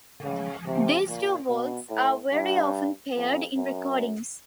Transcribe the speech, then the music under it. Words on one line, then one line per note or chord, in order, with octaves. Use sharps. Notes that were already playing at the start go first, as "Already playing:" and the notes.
These two works are very often paired in recordings.
C#3
C3
A#2
B2
A2
G2
F2
F#2